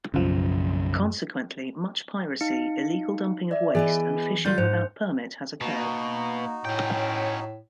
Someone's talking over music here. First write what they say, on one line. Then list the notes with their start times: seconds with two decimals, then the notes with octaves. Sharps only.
Consequently, much piracy, illegal dumping of waste and fishing without permit has occurred.
0.14 B1 F#2 C#3 F3
2.41 D#4 F5 C#7
3.51 D5 E5
3.75 E3 B3 G#4 D#5 G#5
4.45 D3 G3 F4 G6
4.58 G#2 C5
5.61 B2 A#3 D#4 F#4
6.65 A2 C#4 G5